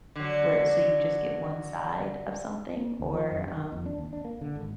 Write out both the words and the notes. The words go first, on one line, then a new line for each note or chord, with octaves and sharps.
where so you just get one side of something or, um
D3 F#3
D2
F3
F#2
G2
D#3
F2
D4
D#2
D4
A#3
D3
G#1